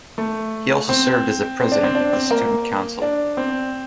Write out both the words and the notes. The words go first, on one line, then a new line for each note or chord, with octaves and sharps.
He also served as a president of the student council.
A3
C4
C4
D4
C4
D4
C4
A#3
D4
C4